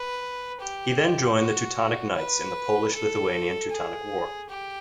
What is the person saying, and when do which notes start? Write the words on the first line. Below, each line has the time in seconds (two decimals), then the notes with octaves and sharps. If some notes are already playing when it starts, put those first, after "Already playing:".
He then joined the Teutonic Knights in the Polish-Lithuanian-Teutonic War.
Already playing: B4
0.61 G4
1.37 F#4
2.16 B4
2.94 A4
3.71 G#4
4.50 G4